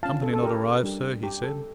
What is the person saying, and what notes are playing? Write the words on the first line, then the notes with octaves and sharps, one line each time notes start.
"Company not arrived, sir," he said.
C#4 F4 F5 A5
A4
A4
G4 A#4
G3 D4 G4
G4
A4